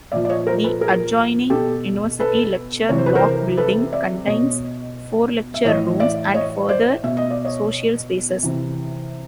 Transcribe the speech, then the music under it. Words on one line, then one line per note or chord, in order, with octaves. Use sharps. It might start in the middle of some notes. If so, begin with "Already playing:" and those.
The adjoining University Lecture Block building contains four Lecture rooms and further social spaces.
A#2 F3 D5 E5
D5
C#5 D#5
A#4 C5
A4 B4
G#4 A#4
B2 G4 A4
A4 B4
C3 E3 C#5
C5
B4
A#4 C5
A4 B4
D5 E5
B2 C#5 D#5
E5
A2 E3 C#5 D#5
D5 E5
C#5 D#5
C5 D5
B2 E5
D#5
D5
C#5 D#5
C3 E3